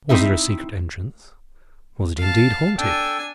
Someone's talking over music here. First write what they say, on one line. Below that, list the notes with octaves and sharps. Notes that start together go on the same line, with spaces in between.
Was there a secret entrance? Was it, indeed, haunted?
C4 D#4 E4 E5
F5 A5
D4 A4 G5 G#5